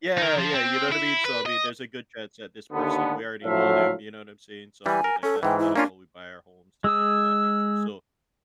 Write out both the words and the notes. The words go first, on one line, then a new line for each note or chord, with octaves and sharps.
Yeah, yeah, you know what I mean, so I mean, there's a good chance that this person we already know them, you know, what I'm saying, so, I mean, like, that's kinda how we buy our homes and things of that nature, so,
D#4 A#4
F3
C4
E4
B4
D#5
D#2 D3 B3
A2 D3 F3 F#3 E5 F5
E3 G3 G#5
A#4
C#4 A4
G#2 E3 G5
E4
A#3 C#4 D4 F4
G#3 G#4 D#6 E6